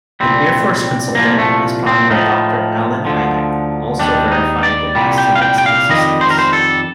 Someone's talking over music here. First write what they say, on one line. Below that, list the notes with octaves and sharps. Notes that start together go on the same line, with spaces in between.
An Air Force consultant, astronomer Doctor Allen Hynek, also verified the "Estimate"s existence.
C2 A#2 G3 C4
C2 A#2 F3 A#3
A3
C4
A2 F3 D#4
D2 D3 F3
D#2 D#3 G3 D4
D#4
D5
C2 A#2 G3
G5
F5
G5
G5
F5
F2 D#3 G3 D#5
C5
A#4
C5
A4